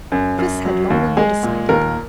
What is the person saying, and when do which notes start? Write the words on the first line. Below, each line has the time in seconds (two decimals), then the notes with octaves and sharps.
Chris had long ago decided.
0.12 F#2
0.39 F#2
0.65 F#3
0.90 D#2
1.17 G#3 G#4
1.43 A#2
1.69 D#2 A#4